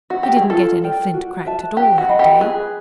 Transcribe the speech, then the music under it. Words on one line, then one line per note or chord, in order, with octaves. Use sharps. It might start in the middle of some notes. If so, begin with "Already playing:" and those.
He didn't get any flint cracked at all that day.
F#4
G4
G#4
F4 A4
A#4 D5 G5
F#4
B4 E5 A5
G4 B4
F#4
D#5 F#5 B5
G4
G#4 B4